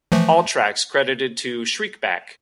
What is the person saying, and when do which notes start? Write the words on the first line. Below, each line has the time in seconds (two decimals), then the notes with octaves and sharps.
All tracks credited to Shriekback.
0.12 E3 F3 A3